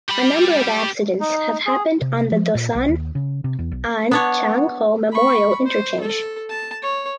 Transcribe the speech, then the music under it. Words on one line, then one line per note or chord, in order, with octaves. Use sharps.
A number of accidents have happened on the Dosan Ahn Chang Ho Memorial Interchange.
G4 B5
D#4
G#4
C3
F3
A#2
B1
D#2
C#3
C3
E2
B1
B3 D4 C#5
B5 C#6
C5
A4
A5
C#5